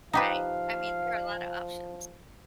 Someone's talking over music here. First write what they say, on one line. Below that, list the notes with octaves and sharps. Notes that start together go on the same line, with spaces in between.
Right. I mean, there are a lotta options.
F3 D#4 G4 B4 F5